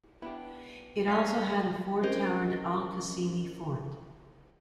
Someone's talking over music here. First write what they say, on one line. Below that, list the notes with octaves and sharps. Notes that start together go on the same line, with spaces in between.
It also had a four-towered Al-Qasimi fort.
B3 D4 E4 G4
G3 C#4 F4 F5 A#5 C7
C4 C#4 G4 A#4 C5 D#5